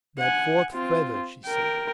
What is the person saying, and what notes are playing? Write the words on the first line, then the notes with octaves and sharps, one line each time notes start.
"That fourth feather," she said.
F#5 G#5
C4 F4
A#4 G5